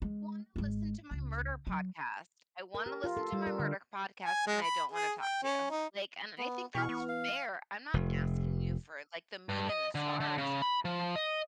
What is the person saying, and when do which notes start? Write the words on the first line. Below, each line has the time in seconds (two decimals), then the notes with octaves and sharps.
I wanna listen to my murder podcast. I wanna listen to my murder podcast, and I don't wanna talk to you. Like, and I think that's fair, I'm not asking you for, like, the Moon and the stars.
0.02 G#3
0.56 G#1 G#3
1.11 C#2
1.67 F#3
2.75 A#4
2.86 G4
3.04 F4
3.17 A4
3.32 G3
3.47 A#4
3.59 D3
4.25 G#5
4.47 G#3
4.62 B5
4.92 G#4
5.18 G5
5.43 C#4
5.70 D#4
6.38 B3
6.75 B2 E3 C#6 F6
6.89 B3
7.09 F5
7.94 F1
9.49 G2
9.69 D#5
9.95 D3
10.20 D3
10.38 C#3
10.62 B5
10.85 F3
11.16 D#5